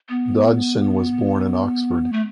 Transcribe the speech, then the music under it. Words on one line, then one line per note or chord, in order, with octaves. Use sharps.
Dodgson was born in Oxford.
B3
A3